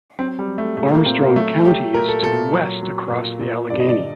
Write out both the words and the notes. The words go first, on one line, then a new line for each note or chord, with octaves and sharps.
Armstrong County is to the west across the Allegheny.
F#3 C4
G3
F#3
A3
A#2 A3
A#3
A#2 C4
A#3
F#3 A3
F#3 G4
A#2 A#4
A4
A#2 A4
F#3
F#3
A#2
A#2
G2 D5
D#5
D5
D3